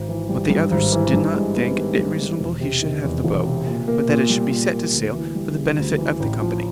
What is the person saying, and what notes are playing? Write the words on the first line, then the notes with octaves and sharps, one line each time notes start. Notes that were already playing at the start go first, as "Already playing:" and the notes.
But the others did not think it reasonable he should have the boat, but that it should be set to sale for the benefit of the company.
Already playing: G#1
E3
G3
G2
G#1
E3
G2
G#3
B3
D#3
G2
G#3
E1
C3
D#3
E2
E1
C3
A#2
A#3
A#2
G3
A#2
A#3
D2
E3
G3
C#3
D2
E3
A1
F3